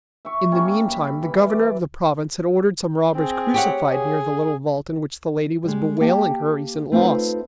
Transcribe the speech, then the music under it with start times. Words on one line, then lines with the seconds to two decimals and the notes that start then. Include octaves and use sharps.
In the meantime the governor of the province had ordered some robbers crucified near the little vault in which the lady was bewailing her recent loss.
0.25 E5 C#6
0.52 G3 A#3 C#4
0.92 B5
1.22 E3 B5
1.50 D5
3.14 C4 G#4
3.54 G4 C#5 F#5
3.92 G#4
5.64 G3 G#3
6.00 A#3 G4 G5 A5
6.92 A3 C4 D#4 F4 B4